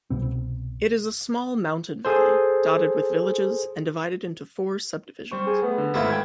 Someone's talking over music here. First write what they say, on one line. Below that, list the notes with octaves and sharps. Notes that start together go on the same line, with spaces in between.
It is a small mountain valley, dotted with villages and divided into four sub-divisions.
C2 B2 C4
G#4 A4 C5
G3 C5 C#6
G#4
A3 B3
D3
G#1 G#2 A3 E4 F4
G5 G#6